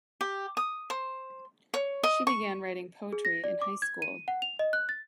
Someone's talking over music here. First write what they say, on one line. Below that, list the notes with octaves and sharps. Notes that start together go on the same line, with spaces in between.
She began writing poetry in high school.
G4
D#6
C5
C#5
D#5
C#6
G#4
A#6
D5
D6
G#6
D#7
F#5
F7
D#5
F#6
A6